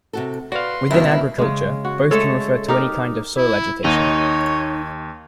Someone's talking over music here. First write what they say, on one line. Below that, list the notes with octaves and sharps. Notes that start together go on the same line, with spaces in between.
Within agriculture, both can refer to any kind of soil agitation.
C3 F#4 A4
F#4 B4 D5 F5 C6
C#2 G2 B2 E4 A#4
C#3 G#3
F#4
G#3 A3 A4 C#5
D#4 G4 A#4
E4
D#2 D#4 C#5